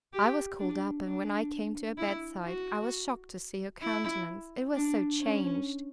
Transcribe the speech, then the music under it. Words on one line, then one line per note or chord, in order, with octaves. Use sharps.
I was called up, and, when I came to her bedside, I was shocked to see her countenance--it was so changed!
G4
D4
D4
E4
F#4
E4
D4
C#4